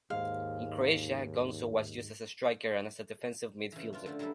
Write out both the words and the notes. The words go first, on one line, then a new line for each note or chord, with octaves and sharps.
In Croatia, Gonzo was used as a striker and as a defensive midfielder.
D#2 G#2 G#3 F5
C#3 E3
C#3 D4 F4
D3 F3 A3
F#3 G3 A#3 E4 A4 B4